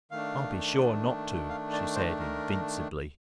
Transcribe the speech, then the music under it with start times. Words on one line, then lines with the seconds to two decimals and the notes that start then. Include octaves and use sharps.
"I'll be sure not to!" she said invincibly.
0.11 D#3 A3 D4 F5
1.50 F5
1.73 D5
1.96 C5
2.19 A#4